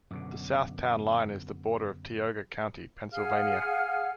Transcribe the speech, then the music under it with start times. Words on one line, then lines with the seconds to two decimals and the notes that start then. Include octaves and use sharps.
The south town line is the border of Tioga County, Pennsylvania.
0.11 F#2 B2 D3
3.12 G#4 F5 F#5 F6